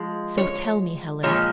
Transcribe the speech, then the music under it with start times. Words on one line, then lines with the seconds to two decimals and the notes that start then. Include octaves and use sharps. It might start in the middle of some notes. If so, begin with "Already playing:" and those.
So tell me, Helen.'
Already playing: F3 G#3
0.38 C#5
1.23 A#2 F3 G#3 C#5